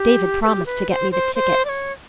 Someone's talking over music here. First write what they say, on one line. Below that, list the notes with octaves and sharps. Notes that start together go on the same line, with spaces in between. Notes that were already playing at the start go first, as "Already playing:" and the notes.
David promised to get me the tickets.
Already playing: G4
B4
G4
B4
C5
C5
C5
D5
C#5